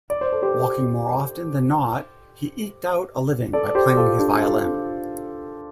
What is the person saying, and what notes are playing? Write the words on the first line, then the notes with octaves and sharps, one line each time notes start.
Walking more often than not, he eked out a living by playing his violin.
D5
C5
A4
G4 C5
A4 D5
G4 C5
F4 A4
D4 G4
F4 A4